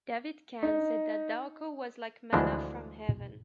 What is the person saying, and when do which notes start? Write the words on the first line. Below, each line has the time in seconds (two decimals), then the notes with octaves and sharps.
David Kahn said that Darko was like manna from heaven.
0.63 D#4
2.33 D2 E3 F3 G#3 D4